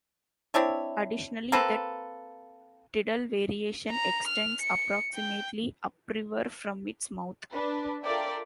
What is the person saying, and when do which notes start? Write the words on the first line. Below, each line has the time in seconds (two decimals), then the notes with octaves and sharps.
Additionally, the tidal variation extends approximately upriver from its mouth.
0.54 C4 D4 E4 C#5
1.52 A#3 C4 A4 B4
3.90 A#5
4.28 F6
4.62 C#7
5.14 G5
7.52 D4 B4
8.03 F4 A4 A#4 D5 E5 G5